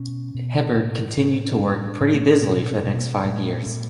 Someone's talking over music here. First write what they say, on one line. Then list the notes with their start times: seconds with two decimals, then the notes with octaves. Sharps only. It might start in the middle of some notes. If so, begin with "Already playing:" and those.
Hebert continued to work pretty busily for the next five years.
Already playing: B2 C#4
0.35 B2
0.76 A2
1.17 A2
1.55 C#4
1.59 A2 D4
1.86 D4
2.01 A2
2.14 A3
2.42 B2 A#3
2.69 C4
2.83 B2
2.97 A#3
3.24 A#2 G#3
3.66 A#2